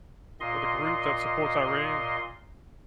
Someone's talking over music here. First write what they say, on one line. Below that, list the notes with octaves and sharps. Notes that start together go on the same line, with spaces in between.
uh, the group that supports Iran?
A#2 D#5 C6